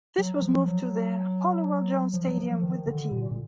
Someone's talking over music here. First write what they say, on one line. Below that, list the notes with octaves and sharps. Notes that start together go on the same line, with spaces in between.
This was moved to the Halliwell Jones Stadium with the team.
F#3
F3
F#3
F3
F#3
F3
D#3
D3
A#2
A#2